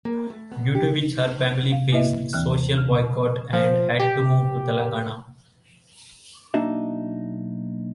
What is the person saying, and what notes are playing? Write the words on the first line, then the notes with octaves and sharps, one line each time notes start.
Due to which her family faced social boycott and had to move to Telangana.
A#3
A3
B3
G4
F5
G#2 A#3 E4 B4 D#5 E5
D#2 E3 C4 G5 F6 F#6
F6
F3
G4
B1 A#3 D4 D#4 F#4 E5